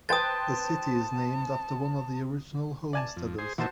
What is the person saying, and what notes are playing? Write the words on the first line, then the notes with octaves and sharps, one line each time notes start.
The city is named after one of the original homesteaders.
B4 C5 G5 A5 D#6 A6
D5 G#5 A5
F2
G#4 C5
A#2 D#3 E3 F#4 C5 A5